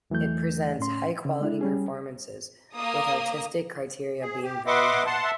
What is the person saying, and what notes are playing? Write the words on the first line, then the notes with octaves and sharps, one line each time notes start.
It presents high quality performances, with artistic criteria being very high.
E2 E3 F#3 A3 G6
A2 C#4 C6
C#3
G#3 D4 E4
G3 C#4 G#4
A#3 D#6
G#4
G4
B4 D#5 E5 F#5 C6 D6
F#5 A5 C6
E5